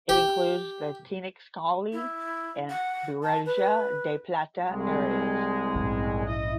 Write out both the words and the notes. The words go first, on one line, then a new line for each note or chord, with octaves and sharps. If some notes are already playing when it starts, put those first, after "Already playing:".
It includes the Tenexcalli and Barriga de Plata areas.
G4
E4
F#5
A5
B4
C2 G#3
A#1 G#2 C#3
E4 D#5